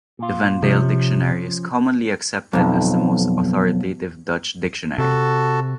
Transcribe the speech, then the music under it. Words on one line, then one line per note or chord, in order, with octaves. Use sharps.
The Van Dale dictionary is commonly accepted as the most authoritative Dutch dictionary.
A#2 F4
C3 F3 C#4
B1 F2
C3 F#4 A4 A5